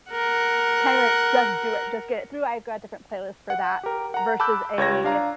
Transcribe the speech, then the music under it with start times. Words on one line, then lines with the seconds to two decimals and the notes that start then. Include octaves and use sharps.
kind of, eh, just do it, just get it through, I've got different playlist for that, versus a
0.12 A#4 F#5
3.50 F#5
3.83 G4 A#4
4.14 F#5 A#5
4.40 A5 B5 D6 E6 F#6 G6
4.78 C#2 C#5 G#6 A#6
5.04 D4 F5 A#5